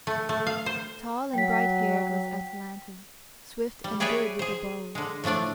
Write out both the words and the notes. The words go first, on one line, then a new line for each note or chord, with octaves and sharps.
Tall and brighthaired was Atalanta, swift and good with the bow.
A3
A3
F5
C5
F#3 G5 B6
G3
G4 G#4 B4 C#5 D5 E5
G#4 C5
D3 G#3
A2 F3 A3 D4 D5